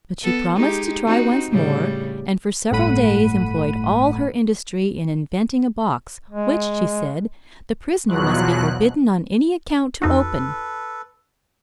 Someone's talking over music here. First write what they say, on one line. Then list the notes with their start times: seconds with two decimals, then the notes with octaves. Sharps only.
But she promised to try once more; and for several days employed all her industry in inventing a box, which, she said, the prisoner must be forbidden on any account to open.
0.23 B3 A4
0.57 G#3 D#4 G4
1.05 C4 D#4 F#4
1.51 A2 C#3 G3
2.71 G1 A2 A3 F#5 B5 D#7
6.30 G#3
8.08 E2 B2 F3 F#3 F#6
10.02 F2 D#4 F#4 A4 B4